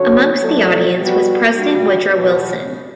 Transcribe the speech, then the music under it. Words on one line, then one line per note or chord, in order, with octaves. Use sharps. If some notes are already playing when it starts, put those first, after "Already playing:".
Amongst the audience was President Woodrow Wilson.
Already playing: D3 F#3 C#4 F#4 C#5
F#3 A3 E4 A4 D5
G3 B3 F#4
G3 D4 F#4
E2 B2 G3 B3